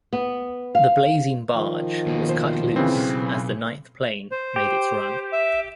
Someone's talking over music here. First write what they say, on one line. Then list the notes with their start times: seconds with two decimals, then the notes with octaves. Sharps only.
The blazing barge was cut loose as the ninth plane made its run.
0.13 B3
0.75 F5
1.53 D#3 F3
2.06 D#2 B2
2.29 C5
2.76 C#3 E3 C4
2.95 B1
4.31 C5
4.56 G4
5.32 E5